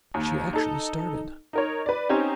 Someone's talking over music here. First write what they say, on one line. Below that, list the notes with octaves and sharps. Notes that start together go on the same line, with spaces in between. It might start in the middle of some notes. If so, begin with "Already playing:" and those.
She actually started.
D#2
D#4 A4
D#4 A#4 C#5
B4 D5
C4 C#4 D#4 G4